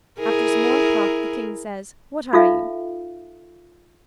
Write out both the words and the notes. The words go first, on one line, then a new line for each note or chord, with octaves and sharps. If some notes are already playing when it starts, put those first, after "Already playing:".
After some more talk the king says, "What are you?"
E4 G#4 A#4
D#4 F4 A4 E5 F5